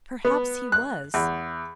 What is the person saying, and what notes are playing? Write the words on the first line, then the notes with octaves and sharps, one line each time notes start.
'Perhaps he was.
B3
F#6
E2